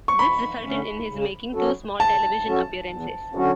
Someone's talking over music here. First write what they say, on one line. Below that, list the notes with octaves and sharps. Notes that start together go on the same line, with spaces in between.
This resulted in his making two small television appearances.
C#6
D2 B5
D3 A3 C#4
C#3
F#3 C#4 F#4 A4
C#3 A5
F#3 C#4 F#4 A4
E2
D3 F#3 C#4 F#4